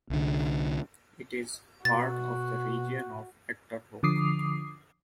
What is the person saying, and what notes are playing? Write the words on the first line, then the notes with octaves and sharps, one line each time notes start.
It is part of the region of Achterhoek.
C2 D3
B2 F#4 A6
D3 F3 D6 D#6 C7